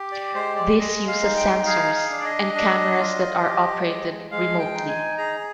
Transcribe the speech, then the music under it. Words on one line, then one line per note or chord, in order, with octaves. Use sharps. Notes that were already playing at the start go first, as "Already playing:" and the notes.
This uses sensors, and cameras that are operated remotely.
Already playing: G4
D5
G#3 C5
D5
G#3 D#5
F5
D#4
G5
G#4 F5
F5
D4
D5
D#5
D4
F4
G4
G#3
G#3 F5
G5
D#4
G#5
G#4 A#5